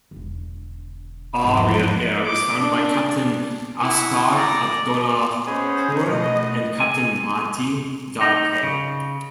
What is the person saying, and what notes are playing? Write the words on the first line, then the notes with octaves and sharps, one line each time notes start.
Aria Air was founded by Captain Asghar Abdollahpour and Captain Mahdi Dadpei.
E1 D3
E2 G#2 F3
D6
D4
E4 F#5
D5 A#5
B3 C#4 G#4 C5 D#5
B2 A3 D#5
G#5
D#4
C#3